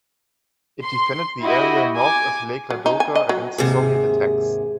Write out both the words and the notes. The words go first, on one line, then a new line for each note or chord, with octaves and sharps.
It defended the area north of Lake Ladoga against Soviet attacks.
C6
E4 F#4 G4 D#5
G#5 D6
F#3
D#4
G#5
D#5
F#3
D#2 G#2 C3 G#4